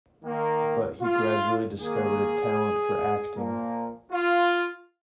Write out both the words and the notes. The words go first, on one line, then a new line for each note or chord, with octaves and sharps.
But he gradually discovered a talent for acting.
D#3 A#3
F4
D#3 A#3 G#4
A#2 F3 A#3
F4